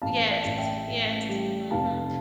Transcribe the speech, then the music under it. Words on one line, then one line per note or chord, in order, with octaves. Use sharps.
Yes, yes, mhm.
A1 F5 A5
D5 F5
A1
E5 G5
A2
G3
F1 F5 A5